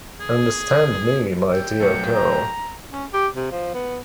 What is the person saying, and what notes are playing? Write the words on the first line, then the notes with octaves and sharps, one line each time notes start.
Understand me, my dear girl.
G#4
G5 E6
B1 F#3 A3 C#7
A#5
C#4
G4
C3
F3
B3